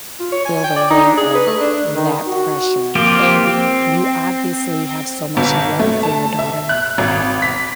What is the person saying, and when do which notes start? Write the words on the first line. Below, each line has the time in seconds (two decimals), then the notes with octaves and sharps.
feel the weight of that pressure, and you obviously have so much love for your daughter,
0.20 F4
0.32 C#5
0.45 G#5
0.64 G5
0.76 D5
0.90 D#4
1.04 D4
1.17 G#4
1.35 B4
1.46 A3
1.60 D4
1.93 D#3
2.27 F#4
2.95 F3 A#3 C4 F4 G4
3.47 C4
5.37 G1
5.79 A3
6.03 A5
6.39 E5
6.69 F#6
6.98 G#1
7.42 B6